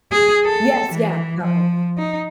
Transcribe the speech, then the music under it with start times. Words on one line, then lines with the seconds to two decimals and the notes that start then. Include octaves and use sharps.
Yes, yeah, that one.
0.12 G#4
0.45 A4
0.92 E3
1.40 F3
1.98 D#4